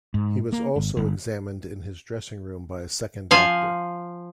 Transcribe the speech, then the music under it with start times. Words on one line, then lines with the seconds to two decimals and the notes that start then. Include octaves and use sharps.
He was also examined in his dressing room by a second doctor.
0.14 G#2
0.53 A#3
0.76 G#1
0.97 G1
3.31 F3 F5 G#5